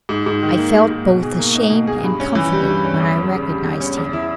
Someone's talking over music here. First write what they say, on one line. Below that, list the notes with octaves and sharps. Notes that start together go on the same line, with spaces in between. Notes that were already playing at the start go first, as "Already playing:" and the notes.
I felt both ashamed and comforted when I recognized him.
G#2
G#2
D#3
A#3
G#2
G#2
B2
G#4
A#3
D#4
B2
G#4
G2
C#4
E3
G3
G2
C#4
E2
C#4
C#3
G3
E2
C#4
E2
E4